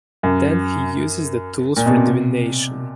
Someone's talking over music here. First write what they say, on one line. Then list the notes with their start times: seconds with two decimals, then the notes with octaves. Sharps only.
Then he uses the tools for divination.
0.23 F#2
1.77 A#2
1.86 B2
1.97 C3
2.07 C3